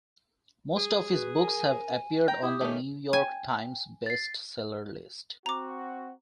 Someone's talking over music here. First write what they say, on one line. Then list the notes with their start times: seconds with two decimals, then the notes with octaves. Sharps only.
Most of his books have appeared on the "New York Times" Best Seller List.
0.77 G#4
1.12 F#4 B4
1.39 A#4 G#5
2.28 G5 A#5
2.42 E4 G4 D#6
2.61 D#3 A3 C#4
3.13 G5 G#5
4.06 A6 C7
5.46 C4 F#4 A#5 D6